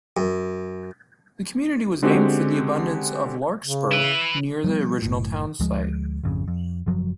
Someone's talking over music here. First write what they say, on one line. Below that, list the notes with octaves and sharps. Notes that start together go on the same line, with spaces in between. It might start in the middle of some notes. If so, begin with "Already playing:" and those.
The community was named for the abundance of larkspur near the original town site.
F#2
D3 G#3 C4 C#4 F#4 G4
C#3
E4 B4
F3 G3 B3
F#1 A2
D2 F3 G#3
G#1 F2 C#3
F2
F#1 F#2 F3 F#3